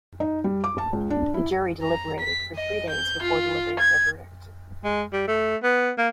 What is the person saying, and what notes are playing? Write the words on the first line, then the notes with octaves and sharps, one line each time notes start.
The jury deliberated for three days before delivering their verdict.
D#4
G3
D6
A5
C#2
D4
E4
A#5
B6
D#5
G6
F4
G#6
G#3
G3
A3
B3
A#3